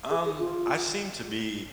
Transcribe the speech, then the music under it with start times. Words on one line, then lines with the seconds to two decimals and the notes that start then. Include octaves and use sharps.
Um, I seem to be,
0.10 G#4
0.25 G#4
0.39 F4